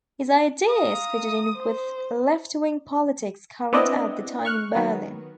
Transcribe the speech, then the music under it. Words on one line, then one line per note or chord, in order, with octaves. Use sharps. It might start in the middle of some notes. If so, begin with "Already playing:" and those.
His ideas fitted in with left-wing politics current at the time in Berlin.
F5 A#5 D#6
C5
B3 C4 D4 E4 D5 D#5
C#6 F6 F#6
D#3 F#3 B3